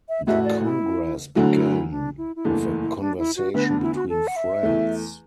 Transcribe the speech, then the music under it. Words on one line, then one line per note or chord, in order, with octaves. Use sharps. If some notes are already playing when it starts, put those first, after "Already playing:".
The congress began with a conversation between friends.
E5
A1 A2 A3 F#4 A4 E5
D5
E4
D2 D3 F#3 A3 E4 F#4
E4
E4
D4
E4
E4
F#1 E2 E3 A3 D4
E4
E4
D4
E4
F#4
D2 D3 B3 B4
D4
E4
F#4
A4
F#5
E5
E2 E3 A3